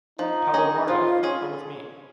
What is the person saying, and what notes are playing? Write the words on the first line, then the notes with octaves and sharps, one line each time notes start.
Palomares, come with me.
F3 D#4
C#4 G#4 D#5
F3 F4
C#4 G#4